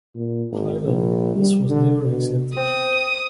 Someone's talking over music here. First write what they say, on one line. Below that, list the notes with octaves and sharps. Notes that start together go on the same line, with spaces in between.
However, this was never accepted.
A#2
G#1
A#1
G3
D3
B2
C4 D#6